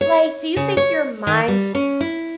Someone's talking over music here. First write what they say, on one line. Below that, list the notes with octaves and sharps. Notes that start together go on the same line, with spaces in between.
Like, do you think your minds
C#5
C#3
C#5
D#3
G3
C#4
E4